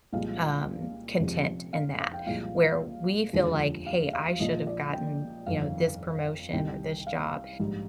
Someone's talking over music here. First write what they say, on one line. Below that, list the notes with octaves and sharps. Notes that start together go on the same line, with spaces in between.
um, content in that, where we feel like, "Hey, I should've gotten, you know, this promotion or this job,"
C2 A#2 F3 G#3 F5
F1 F2 C3 F3 G#3
F5
F5
G5
C2 A#2 F3 G#3 F5
F1 D#2 D3 F3 G#3
F5
F5
A#1 A#2 F3 G#3 D#5
D5
G5
G1 F2 D#3 F5
C2 C3 D#3 G5
F5
A#1 G#2 G3